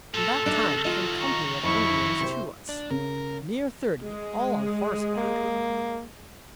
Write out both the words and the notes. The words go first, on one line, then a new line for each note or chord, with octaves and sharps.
In that time came a company of Indians to us, near thirty, all on horseback.
A#2 A4
F#2 D#3 D4 D#4
D#3 F#3 F4 D#5
A#5 C#6
F2 E4 C#6
C3 C5
D4
C#3 A#4
G#3 G#4
A#3